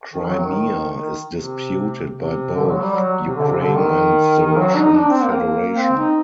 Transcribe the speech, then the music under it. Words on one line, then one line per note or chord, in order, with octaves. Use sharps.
Crimea is disputed by both Ukraine and the Russian Federation.
D#3
F#3
D#3
D#3
C3
C3
D3
F#3
G3
F#3
C3
D3
C3
D3
D#3
D#3
F#3
D#4
D4
C4
A#3
C4
D#4